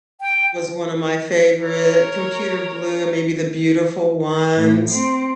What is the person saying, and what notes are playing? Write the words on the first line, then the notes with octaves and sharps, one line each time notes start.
was one of my favorite. Computer Blue, maybe The Beautiful Ones,
G5
A#4 C#5
A2
C4